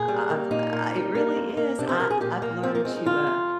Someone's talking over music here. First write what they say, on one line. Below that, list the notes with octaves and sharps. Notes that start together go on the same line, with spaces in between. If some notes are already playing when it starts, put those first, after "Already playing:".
I I've uh, it really is. I I've learned to, uh,
Already playing: A#2 G#4
G3
A#3
A#2 D#4
A#2
G3
A#3
F2
A#3
C3 D4
C4
F3 A#4
G#4
A#2 G4
A#2 A#3
F3 C4
A#3
G#3 C4
D#4
F2 F4
F2